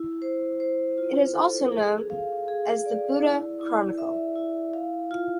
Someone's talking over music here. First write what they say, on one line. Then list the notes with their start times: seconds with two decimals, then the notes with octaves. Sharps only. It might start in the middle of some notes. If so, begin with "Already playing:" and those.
It is also known as the "Buda Chronicle".
Already playing: E4
0.22 C5
0.60 C5
0.98 F4
1.35 A4
1.72 G#4
2.10 F5
2.48 G#4
2.85 D5
3.22 E4
3.61 E4
3.98 E5
4.36 E4
4.73 F5
5.11 F4